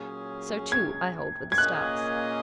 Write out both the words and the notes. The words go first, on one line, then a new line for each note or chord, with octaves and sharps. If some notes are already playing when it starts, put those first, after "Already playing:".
So, too, I hold, with the stars.
Already playing: A#2 F#3 C#4 G#4
G#6
G#6
A#2 A#3 C#4 G#4 D#5 F#6